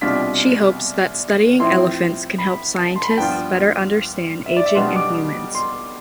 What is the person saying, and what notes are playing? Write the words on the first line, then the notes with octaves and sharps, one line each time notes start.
She hopes that studying elephants can help scientists better understand ageing in humans.
C2 B2 G3 D4 F4 B6
A2 F3 C4 E4 C6
B5
A5
C6
B5
A5
G2 F3 B3 F4 G5
E5
D5
E5
B1 B2 G3 B3 D4 C6
D6
C6